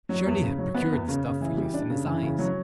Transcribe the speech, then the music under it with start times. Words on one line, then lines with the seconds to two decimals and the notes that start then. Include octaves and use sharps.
Shirley had procured the stuff for use in his eyes.
0.09 F#3
0.26 E2
0.43 C#3
0.58 F#3
0.74 B3
0.92 E2
1.08 C#3
1.24 C#3
1.41 E3
1.57 G3
1.74 D4
1.90 C#3
2.06 E3
2.22 C#3
2.39 F#3